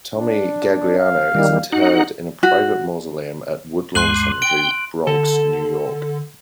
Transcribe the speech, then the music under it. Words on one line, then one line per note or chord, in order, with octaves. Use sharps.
Tommy Gagliano is interred in a private mausoleum at Woodlawn Cemetery, Bronx, New York.
D4
F5
D#3 G3
D#4 F#4 F#5
F#4
D2 G2 G#3 C6 F#6 F#7
G5 D7
D3 A4